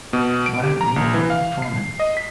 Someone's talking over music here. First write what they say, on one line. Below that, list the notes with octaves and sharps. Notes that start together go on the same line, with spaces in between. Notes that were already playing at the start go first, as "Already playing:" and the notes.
What a regal performance!
B2
D7
G4
A#5
A#1
E3
F5
C7
D#5
B6